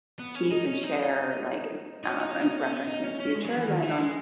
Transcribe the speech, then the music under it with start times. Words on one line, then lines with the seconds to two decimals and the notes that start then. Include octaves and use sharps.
keep and share, like, uh, and reference in the future, then, um,
0.19 B3
0.35 C#4
0.51 D#4
0.67 C#4
0.83 D#4
2.04 D#4
2.09 C#4
2.19 D#4
2.31 C#4
2.41 D#4
2.57 C#4
2.72 B3
2.88 D#4
3.04 C#4
3.20 C#4
3.36 G#3
3.46 F#3
3.57 E3
3.67 D#3
3.83 E3
3.98 G#3